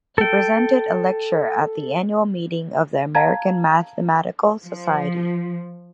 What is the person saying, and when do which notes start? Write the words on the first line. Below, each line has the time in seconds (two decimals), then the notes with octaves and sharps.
He presented a lecture at the annual meeting of the American Mathematical Society.
0.18 A4 G5
3.15 F5 A5 A#5 G#6
4.65 F3